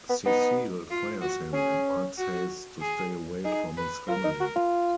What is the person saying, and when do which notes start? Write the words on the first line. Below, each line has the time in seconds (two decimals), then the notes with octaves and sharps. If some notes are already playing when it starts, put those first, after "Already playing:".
Cecil fires him, and Mark says to stay away from his family.
0.09 B3
0.25 B3 D#4
0.90 F4
1.21 F#4
1.53 C#4 G#4
2.18 F#4
2.80 G#4
3.45 D#4 G#4
3.77 B4
4.08 F4 A#4
4.24 D#4
4.40 F#4
4.56 F4